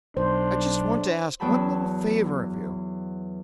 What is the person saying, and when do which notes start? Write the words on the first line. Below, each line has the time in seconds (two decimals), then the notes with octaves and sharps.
"I just want to ask one little favor of you."
0.17 B1 D4 C5
1.40 E2 F#3 G5 A5 B5